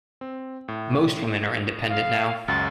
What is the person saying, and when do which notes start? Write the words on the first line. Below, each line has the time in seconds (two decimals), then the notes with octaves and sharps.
Most women are independent now.
0.21 C4
0.68 A2
1.89 F5
2.48 C#2 F#2 F#4 A6